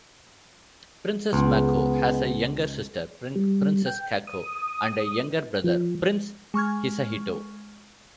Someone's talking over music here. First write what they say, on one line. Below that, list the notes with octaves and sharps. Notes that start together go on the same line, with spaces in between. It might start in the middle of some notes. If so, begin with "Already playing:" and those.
Princess Mako has a younger sister, Princess Kako, and a younger brother, Prince Hisahito.
C#2 B3 G#4
G3
G5
D#6
F3
G#3 C#6 F6 G#6